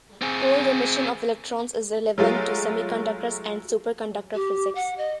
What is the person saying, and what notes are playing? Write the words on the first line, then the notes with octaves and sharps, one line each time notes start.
Cold emission of electrons is relevant to semiconductors and superconductor physics.
C4 G#4
F#3 G#3 A3 F4
G4
F#5
D#5